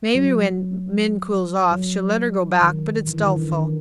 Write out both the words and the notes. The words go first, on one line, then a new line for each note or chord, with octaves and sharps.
Maybe when Min cools off, she'll let her go back but it's doubtful.
F#3
F#3
F#3
D#3
E3
D#3
D3
D#3